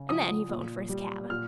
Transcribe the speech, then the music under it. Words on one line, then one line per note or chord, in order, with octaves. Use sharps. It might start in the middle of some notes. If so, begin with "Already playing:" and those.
And then he 'phoned for his cab.
Already playing: C#3
F3 D#6
A#2
G3
A#2 F6